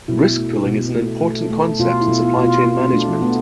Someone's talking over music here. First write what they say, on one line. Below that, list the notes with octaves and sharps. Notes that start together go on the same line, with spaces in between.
Risk pooling is an important concept in supply chain management.
B2 E4
A3
B2
A3
A3
A3
B2 F4
E4
B2
F4
B2
F4
B2 F4
A3 D4
A3 B3